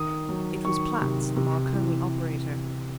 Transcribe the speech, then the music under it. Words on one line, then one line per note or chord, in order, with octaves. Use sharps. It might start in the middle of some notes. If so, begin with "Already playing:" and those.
It was Platts, the Marconi operator.
Already playing: D#3 D#6
F#3
D#3 C#6
C3
C3
E3